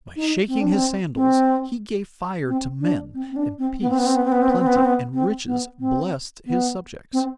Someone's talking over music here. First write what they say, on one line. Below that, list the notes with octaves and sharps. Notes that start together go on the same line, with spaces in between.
By shaking his sandals he gave fire to men, and peace, plenty, and riches blessed his subjects.
D#4
C4
D4
C4
C4
C4
D4
C4
C4
D4
C4
B3
C4
B3
C4
B3
C4
B3
C4
B3
C4
B3
C4
B3
C4
B3
C4
B3
C4